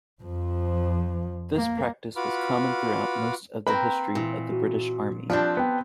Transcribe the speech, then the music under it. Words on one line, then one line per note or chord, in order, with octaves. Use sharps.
This practice was common throughout most of the history of the British Army.
F2 F3
A#3
F4 F#4 B4 B5 D6 F6
A#3 C4 A#4 B4 B5
A#2 E3
F#4
F3 C4 D4 G4 B4 D5 F#6
B3 G5 A5